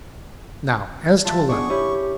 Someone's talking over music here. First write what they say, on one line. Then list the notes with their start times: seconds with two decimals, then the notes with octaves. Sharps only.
Now, as to a letter.
1.25 F4 E5 A5
1.49 B3 D4 G#4 C#6
1.70 C#4 E4 G4